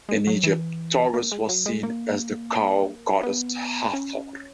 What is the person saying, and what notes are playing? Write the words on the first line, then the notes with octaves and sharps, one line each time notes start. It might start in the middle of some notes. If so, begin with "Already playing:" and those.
In Egypt, Taurus was seen as the cow goddess Hathor.
G#3
F#3
E3
A#3
G#3
F#3
G#3
A#3
B3
C#4